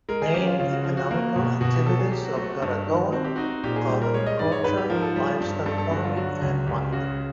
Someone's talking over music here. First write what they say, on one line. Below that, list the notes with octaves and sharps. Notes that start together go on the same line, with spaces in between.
Main economical activities of Garagoa are agriculture, livestock farming and mining.
G#3 A#4
G#4
C#4 G4
F4
C#3 F4
F#4
F3
F#4
A#3
B2
B2 F#4
G4
F#3 A4
G#4
F#3 G4
F#4
A3 F#4
F#4
G2
D#3
C4 F#4
G4
D#4 F#4
A#2 G4
G#4
G3
A#4
G#3 C#5
D#5
G#2 D5
C#5
G#2 B4
G4
F3 A#4
A4
G3
G2
G2 A4
A4
D3 F#4
F4
F#3 F#4
C#2
C#2 G4
C#3 F#4